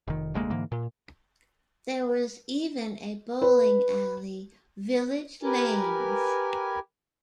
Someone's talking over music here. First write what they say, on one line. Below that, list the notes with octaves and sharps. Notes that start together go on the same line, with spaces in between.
There was even a bowling alley, Village Lanes.
F1 D#3
F1 D2 G#3 A#3
G#2 D3 E3 A#3
A#2
B4
G4 A#4 B4 G#5